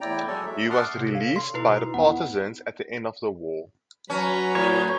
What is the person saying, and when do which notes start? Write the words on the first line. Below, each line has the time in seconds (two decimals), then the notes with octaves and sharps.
He was released by the partisans at the end of the war.
0.01 E2 A2 E4 D5 G5 A#5
0.27 F#3 G#3 A4 C#5 D5
0.46 E5
0.70 F#5 A5 C6 D6 D#6 F6
0.97 C3
1.12 A4 C#5 F5
1.36 D3 C6
1.54 B2 D#4 E4 B4
1.74 D#4
1.94 E2 B3 E4 F#5
4.10 F#3 C#4 B4 A#5
4.55 A2 C#5